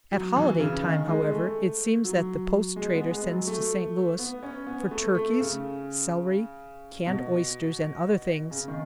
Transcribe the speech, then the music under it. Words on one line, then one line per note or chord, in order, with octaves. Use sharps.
At holiday time, however, it seems that the post trader sends to St. Louis for turkeys, celery, canned oysters, and other things.
F#3
E3
C#3
D#3
G#3
A3
F#3
G#3
B3
G#3
F#3
A3
B3
C#4
B3
A3
A3
C#3
B2
C#3
D#3